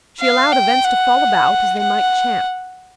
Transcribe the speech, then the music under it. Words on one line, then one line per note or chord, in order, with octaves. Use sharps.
She allowed events to fall about as they might chance.
F5
G5
F#5
F#5